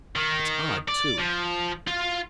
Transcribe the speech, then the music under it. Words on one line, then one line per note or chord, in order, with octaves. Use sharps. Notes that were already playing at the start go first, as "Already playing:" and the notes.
It's odd, too.
D#3
D5
F3
F4